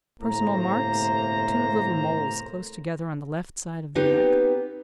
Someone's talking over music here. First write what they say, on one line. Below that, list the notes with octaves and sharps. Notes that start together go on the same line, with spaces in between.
Personal marks--two little moles, close together, on the left side of the neck.
G1 A2 C3 A#3 C5 A#5
B3 C4 D#4 G4 B4